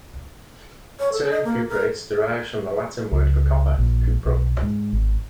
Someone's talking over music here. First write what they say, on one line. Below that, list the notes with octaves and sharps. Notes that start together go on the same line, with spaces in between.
The term cuprates derives from the Latin word for copper, "cuprum".
C#5
A4
D#5
A#3
A#4
C#2
A#1
B1
G#2
G#1